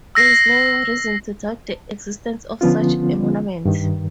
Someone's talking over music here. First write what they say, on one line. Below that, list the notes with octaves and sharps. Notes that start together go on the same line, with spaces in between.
There is no reason to doubt the existence of such a monument.
E6 A#6 C7
D3 F3 B3 C#4 F4
G2 D#3